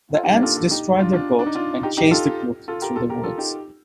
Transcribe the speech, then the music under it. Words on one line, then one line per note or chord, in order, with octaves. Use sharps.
The ants destroy their boat and chase the group through the woods.
F4 A4
D#4 G4
A#3 D4
F4 A4
F4 A4
D#4 G4
D4 F4
D4 F4
D4
D#4
D4 F4
D#4 G4
D#4 G4
F4 A4
F4 A4
G4 A#4
F4 A4
G4 A#4
F4 A4
D#4 G4